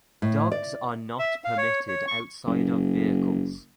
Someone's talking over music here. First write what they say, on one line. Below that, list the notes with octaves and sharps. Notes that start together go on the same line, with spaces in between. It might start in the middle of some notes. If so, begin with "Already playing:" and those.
Dogs are not permitted outside of vehicles.
A2
D5
E5
F5
C#5
C#5
C#6
F#1